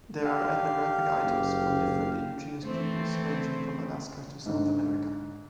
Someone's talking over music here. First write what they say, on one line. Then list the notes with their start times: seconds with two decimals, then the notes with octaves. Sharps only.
There are ethnographic items from different indigenous peoples ranging from Alaska to South America.
0.24 G4 F5
1.24 F#1
2.65 E3 A3 C4 C5
4.46 G#2 D3